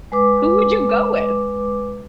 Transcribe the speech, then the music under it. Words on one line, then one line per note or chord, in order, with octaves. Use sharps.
Who would you go with?
G#3 B4 D6